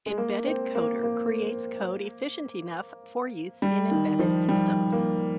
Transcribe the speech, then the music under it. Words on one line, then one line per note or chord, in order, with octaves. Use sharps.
Embedded Coder creates code efficient enough for use in embedded systems.
G#3
A#3
C4
A#3
A#3
G3
D#3
F3
G3
A#3